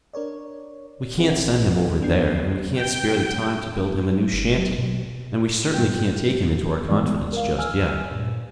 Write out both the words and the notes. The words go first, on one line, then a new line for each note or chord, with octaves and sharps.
"We can't send him over there, and we can't spare the time to build him a new shanty; and we certainly can't take him into our confidence just yet."
D4 A#4 C#5 D5
A#1 C4 D#4 G#4 B4 F#5
F2 G3 B3 D4 G6 C7
G5
G1
F#3
B2
G2 G3 F4 G5 G6
E3 G3 G#3 B3 D5
A#4 F5
G#5 E6 F6
G2 A#2